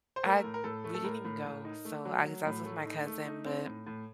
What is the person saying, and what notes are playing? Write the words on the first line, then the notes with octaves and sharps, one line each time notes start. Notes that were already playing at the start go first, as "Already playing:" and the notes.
I we didn't even go. So I was I was with my cousin, but
C5
A3 A#4
A2
A#4
A2 A4
A3
A4
A2 A#4
A2
A2
D#4
A3
F#3
F#3
A2
A3
D#4
A3
D#4
C4
A2
A2